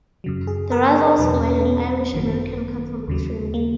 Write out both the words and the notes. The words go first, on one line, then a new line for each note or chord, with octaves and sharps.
The Russells were an Irish-American Catholic family.
F#2 C#3 F#3
G#4
A#4
C#5
C#5
E2 B2 F#3 B4
C#4
C#4
B3
G#1 F#2 D#3 F#3
D#2 C#3 F#3
A#3